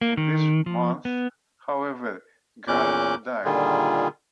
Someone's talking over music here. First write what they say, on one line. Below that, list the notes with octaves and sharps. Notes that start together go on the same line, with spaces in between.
In this month, however, Garrett died.
A#3
D#3
F3
B3
E2 A#2 C#4 D6 F#6 G6
A#2 D3 D#3 G3 F4 G#4